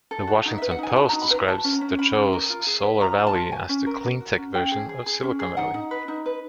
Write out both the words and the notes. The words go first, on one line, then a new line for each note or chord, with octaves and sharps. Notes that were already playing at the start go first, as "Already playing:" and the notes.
The Washington Post describes Dezhou's Solar Valley as the "clean-tech version of Silicon Valley".
A4
F#4
D#4
E5
B4
F#5
D#4 G#5
F#4 A5
A#5
D#4
B5
B4 A#5
F#4 A5
C#4
A#5
C#4
C#4 B5
C#4
A#4
F4
G#4
B4
F4 A#5
F4
A5
F4
F#4 G#5
C#4
A#4
A#4
F#4
C#4
C#4 G5
G#4
G#4
G#4
C#4
G#4
D#4 F#5
D#4
B4
D#4
B4